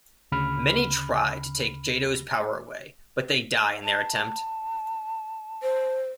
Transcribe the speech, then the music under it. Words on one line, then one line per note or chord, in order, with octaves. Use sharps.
Many try to take Jado's power away, but they die in their attempt.
D2 C#3 B5 F6
A5
C5